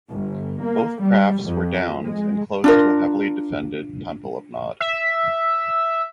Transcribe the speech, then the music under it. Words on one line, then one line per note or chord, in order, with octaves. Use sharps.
Both crafts were downed and close to a heavily defended Temple of Nod.
G1
A#3
G3
F2
G#3
D4 F4 A#4
E5